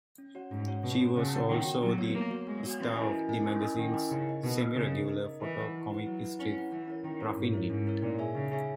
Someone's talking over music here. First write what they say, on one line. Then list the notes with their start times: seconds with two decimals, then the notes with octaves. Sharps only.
She was also the star of the magazine's semi-regular photo comic strip "Ruffing It".
0.18 C#4
0.35 F#4 C#5 F#5
0.51 G#2 C#4
0.68 F#4 C#5 F#5
0.83 B2 C#4
1.00 F#4 C#5 F#5
1.16 C#3 C#4
1.33 F#4 C#5 F#5
1.49 D#3 B3
1.65 F#4 C#5
1.82 F#3 B3
1.98 F#4 C#5
2.14 A#3 B3
2.31 F#4 C#5
2.47 G#3 B3
2.63 F#4 C#5
2.79 E3 C#4
2.96 E4 A#4 D#5 G#5
3.12 C#4
3.29 E4 A#4 D#5 G#5
3.45 C#4
3.61 E4 A#4 D#5 G#5
3.78 D#3 C#4
3.94 E4 A#4 D#5 G#5
4.11 C#3 D#4
4.27 A#4 D#5
4.43 B2 D#4
4.60 A#4 D#5
4.75 C#3 D#4
4.92 A#4 D#5
5.08 D#4
5.24 A#4 D#5
5.41 E3 E4
5.58 B4 F#5
5.74 E4
5.90 B4 F#5
6.06 F#3 E4
6.22 B4 F#5
6.39 C#4 E4
6.55 B4 F#5
6.71 E3 C#4
6.88 E4 A#4 C#5
7.04 D#3 C#4
7.21 E4 A#4 C#5
7.37 G#2 C#4
7.53 E4 A#4 C#5
7.70 G#2 C#4
7.86 E4 A#4 C#5
8.02 A#2 D#4
8.19 G#4 C#5 E5 G#5
8.35 C#3 D#4
8.51 G#4 C#5 E5 G#5